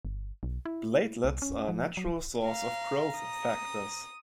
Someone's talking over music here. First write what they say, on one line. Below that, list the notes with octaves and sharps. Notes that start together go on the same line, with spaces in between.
Platelets are a natural source of growth factors.
G1
B1
E4
C2
C#4
F3
F#3
F5 A#5
D#6